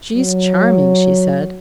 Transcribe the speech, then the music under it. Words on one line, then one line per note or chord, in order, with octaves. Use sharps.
"She's charming!" she said.
F#3